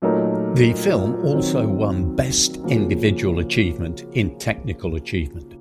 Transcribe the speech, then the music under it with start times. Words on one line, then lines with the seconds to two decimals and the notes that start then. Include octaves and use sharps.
The film also won "Best Individual Achievement" in technical achievement.
0.02 A#2 F#3 A3 D#4 A#4
1.32 D#3 F#3 C4
2.63 C#3 F3 A#3 C#4 F#4